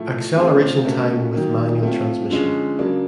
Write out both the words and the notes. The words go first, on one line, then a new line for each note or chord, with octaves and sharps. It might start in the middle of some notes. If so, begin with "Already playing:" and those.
Acceleration time with manual transmission.
Already playing: A2 F3 A3
A3 C4 F4 G#4 C5
A3 C#4 F#4 A#4
D#3 F#3 A#3
A3 C4 F4
D3 F3 G#3 C#4
C#3 F#3 A#3 D4